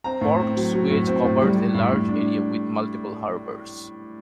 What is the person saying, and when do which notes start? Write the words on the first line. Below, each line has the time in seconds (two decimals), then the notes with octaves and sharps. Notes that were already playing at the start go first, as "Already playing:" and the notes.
Port Suez covers a larger area with multiple harbours.
0.04 C4 A#5
0.21 A2
0.39 C4
0.56 F#3
0.73 F#3
0.90 A2
1.07 C4
1.24 A2
1.42 G3
1.58 G3
1.75 A2
1.93 A2
2.09 D4